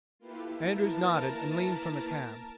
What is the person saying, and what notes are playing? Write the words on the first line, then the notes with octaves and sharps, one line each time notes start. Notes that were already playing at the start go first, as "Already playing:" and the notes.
Andrews nodded and leaned from the cab.
A#3 E4 F4 G4 A4 B4
A#4 A5